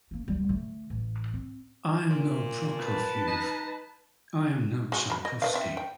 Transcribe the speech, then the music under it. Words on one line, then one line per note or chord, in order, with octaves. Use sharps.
I am no Prokofiev, I am no Tchaikovsky.
A#3 C#4
D2 G3
D3 A3
A1
C4
A#2
B4 A5
D#4
G#3 F#4
F#3 B5
D#5
B4 D#5 F5
C4 E5
G5